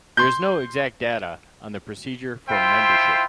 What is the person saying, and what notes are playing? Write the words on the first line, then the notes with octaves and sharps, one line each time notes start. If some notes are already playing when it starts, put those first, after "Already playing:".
There is no exact data on the procedure for membership.
C6 G6
E4 F4 C5 E5 G5 C6